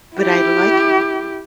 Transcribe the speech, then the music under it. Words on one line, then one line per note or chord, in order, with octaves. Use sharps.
But I'd like
E4 G4